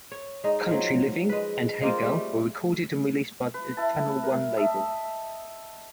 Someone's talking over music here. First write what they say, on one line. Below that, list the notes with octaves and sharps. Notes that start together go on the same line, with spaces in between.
"Country Living" and "Hey Girl" were recorded and released by the Channel One label.
C#5
G#3 D#4
F3 F#3
G#3 B4
G#3 A#3 C4 F4
G3 A3
B4
E4 A5
A#4
D#5 E5 A5